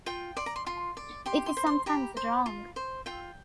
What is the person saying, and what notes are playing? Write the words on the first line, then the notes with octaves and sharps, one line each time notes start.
It is sometimes wrong.
F4 G5
D5 C6
A#5
C6
F4 C6
D5
G4 C6
C6
C5
C6
G4 A#5
C5
F4
C5
F4 G5